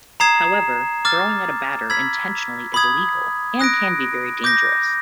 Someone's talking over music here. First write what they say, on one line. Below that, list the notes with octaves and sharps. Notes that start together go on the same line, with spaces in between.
However, throwing at a batter intentionally is illegal, and can be very dangerous.
A#5 D#6 G#6 C7 E7
D6 F6 A6
B5 E6 G#6 B6
B5 D#6 G#6
D#6 F#6 A#6 D7
D6 G6 A#6